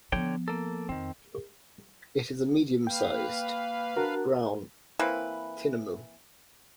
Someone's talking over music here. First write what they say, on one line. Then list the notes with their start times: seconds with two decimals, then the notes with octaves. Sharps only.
It is a medium-sized, brown tinamou.
0.12 D3 F3 B3 C#5 G5
0.48 A#3 A4
0.89 F2 D#3 C4
2.87 A#3 B4 F5 G5
3.96 D4 F#4 A#4
4.99 E3 A#3 C4 B4